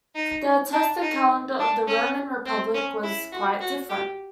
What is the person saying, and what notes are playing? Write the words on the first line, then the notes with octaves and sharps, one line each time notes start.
The attested calendar of the Roman Republic was quite different.
D#4
D4
D#4
D4
C#4
C4
C#4
E4
F#4
F#4
G4